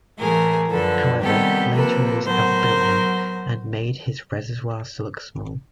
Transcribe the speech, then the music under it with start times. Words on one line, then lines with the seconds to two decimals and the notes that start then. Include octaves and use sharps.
However, later rulers out-built him and made his reservoir look small.
0.20 A2 E3 A3 G#4 A#4
0.70 F#2 D3 F3 A4 B4
1.22 C3 D#3 G3 B3 G4 A4
1.74 C3 F3 A#3 A4 B4
2.24 A2 F#3 B3 A#4 C5
2.76 F#3 B3